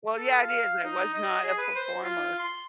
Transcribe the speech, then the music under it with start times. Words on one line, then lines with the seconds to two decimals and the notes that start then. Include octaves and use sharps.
Well, yeah, it is, I was not a performer.
0.16 A4
0.42 F5
0.84 D#4
1.14 D#5
1.44 G#4
1.58 B4
1.75 C5
2.03 F4
2.39 C6